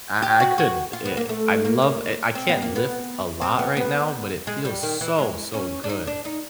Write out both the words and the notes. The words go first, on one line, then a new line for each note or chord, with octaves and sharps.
I I could, eh I love, eh I can't lift a lot right now, but it feels so, so good.
G4
F#4
F#4
F4
B3
A#3
A3
A#3
A#3
C4
B3
A#3
B3
C4
B3
B3
G#3
G3
D#3
E3
G#3
C#4
D4
D#4
D4
D#4